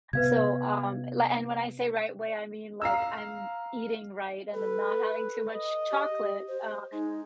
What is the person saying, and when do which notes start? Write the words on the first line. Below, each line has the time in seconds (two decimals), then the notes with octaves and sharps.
So, um, li and when I say right way, I mean, like, I'm eating right and n not having too much chocolate, uh,
0.13 C3 B3 B4 F5 G#6
2.82 F5 A#5 E6
4.54 A4 B4
5.54 D#5
5.91 G4
6.48 C5
6.93 G#3 D#4